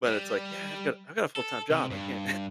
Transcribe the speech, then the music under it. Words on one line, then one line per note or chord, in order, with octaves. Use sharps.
but, it's like, "Yeah, I've got I've got a full time job I can't"
G3
A4
C3
G2